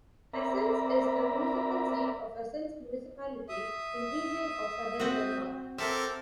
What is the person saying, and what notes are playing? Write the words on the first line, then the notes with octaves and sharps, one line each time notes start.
Assens is the municipal seat of Assens Municipality in Region of Southern Denmark.
C4 A#4 D5 E5 A#5 B5
E5 D#6
C4 F#4
C4 A4 A#4 E5 D6 F6